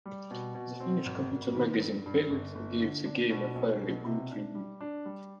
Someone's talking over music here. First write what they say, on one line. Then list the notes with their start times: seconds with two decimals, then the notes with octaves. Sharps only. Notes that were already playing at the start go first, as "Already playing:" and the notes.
The Finnish computer magazine "Pelit" gave the game a fairly good review.
0.06 G3
0.31 B2
0.55 B2
0.80 C4
1.06 G#1
1.31 G#1
1.55 D#3
1.80 G2
2.06 G2
2.30 G1
2.55 G1
2.80 D3
3.06 D4
3.30 B2
3.55 B1
3.81 B2
4.05 C3
4.30 D4
4.55 G3
4.81 D4
5.05 G3